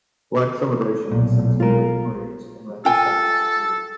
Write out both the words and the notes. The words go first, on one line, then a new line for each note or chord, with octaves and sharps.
"Black Celebration" has since been reappraised in retrospective reviews.
B1 A#2
F4 A#4
F4 A4 G5 G#5